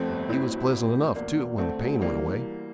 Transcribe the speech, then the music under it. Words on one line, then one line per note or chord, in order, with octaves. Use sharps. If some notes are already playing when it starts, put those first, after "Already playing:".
He was pleasant enough, too, when the pain went away.
Already playing: F2 D3 A3 C4
G1
D2 C4 E4
D2
A#1
A2
E2 A#3 D4
E2
D3 A3 C4
D2
E3 G3 A#3